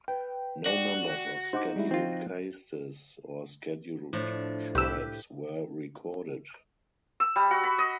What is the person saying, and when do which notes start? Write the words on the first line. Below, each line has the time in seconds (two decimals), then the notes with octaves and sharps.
No members of scheduled castes or scheduled tribes were recorded.
0.08 B4 G5
0.66 F#4 D5
1.53 D#4 C5 F#5 D6
1.76 G3 G#3 E4
1.91 F3 C4 F4
4.13 A2 F3 D4
4.75 C2 G4 B4 E6
7.20 E6
7.36 G3
7.51 F#4
7.64 B5
7.78 D#5